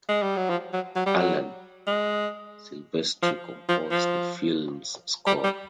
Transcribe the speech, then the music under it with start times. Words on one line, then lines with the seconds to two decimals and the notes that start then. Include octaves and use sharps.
Alan Silvestri composed the film's score.
0.09 G#3
0.22 G3
0.37 F#3
0.49 F3
0.73 F#3
0.96 F#3
1.06 G3
1.16 F#3
1.87 G#3
3.22 F3
3.69 F3
3.91 F3
5.27 G3
5.44 G3